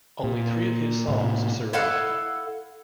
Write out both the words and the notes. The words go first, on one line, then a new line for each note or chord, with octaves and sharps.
Only three of his songs survive.
A#2
A2 C3 A#3
E4 A4 F5 F#5